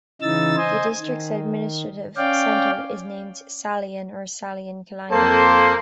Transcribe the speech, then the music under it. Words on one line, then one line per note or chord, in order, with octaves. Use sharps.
The district's administrative center is named Salyan or "Salyan Khalanga".
C#3 E3 D#4 E6 A6
C5 D#5 G#5
D#3
C#4 D5 F5 G5
F2 A#3 A4 C5 A5